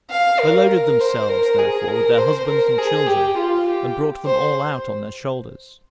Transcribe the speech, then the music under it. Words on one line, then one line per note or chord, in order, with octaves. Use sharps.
They loaded themselves, therefore, with their husbands and children, and brought them all out on their shoulders!
F5
A#4
A#4
C5
A#4
G#4
A#4
C5
A#4
G#4
G4
F4
G4
C5